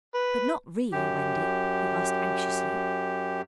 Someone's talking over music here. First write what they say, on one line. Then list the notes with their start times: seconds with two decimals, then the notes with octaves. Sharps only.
'But not really, Wendy?' he asked anxiously.
0.15 B4
0.92 F#2 G4